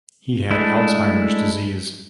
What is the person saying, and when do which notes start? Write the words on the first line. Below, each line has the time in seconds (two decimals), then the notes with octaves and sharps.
He had Alzheimer's disease.
0.51 G#3 A3 D4 E4